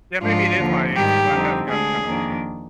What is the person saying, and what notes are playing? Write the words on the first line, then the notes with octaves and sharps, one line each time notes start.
Yeah, maybe it is my age 'cause I have gotten kinda older.
G#2 F3 G#3 D4 F4
D#2 D3 F3
G#2 D#3 G3 G4
F2 D3 G3 C4 D#4
D2 D3 G#3 D4 G#4
F2 D#3 A#3 D4